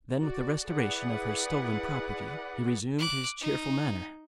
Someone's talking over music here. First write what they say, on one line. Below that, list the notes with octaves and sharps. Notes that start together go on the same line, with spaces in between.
Then, with the restoration of her stolen property, he resumed his cheerful manner.
F#4 D5
E4 G#4 B4 D5 F#5
D6 F#6
D#4